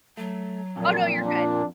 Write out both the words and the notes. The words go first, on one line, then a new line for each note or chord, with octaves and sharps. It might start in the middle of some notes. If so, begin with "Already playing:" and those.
Oh no, you're good.
F#3 A3
F2 A#2 A4
D4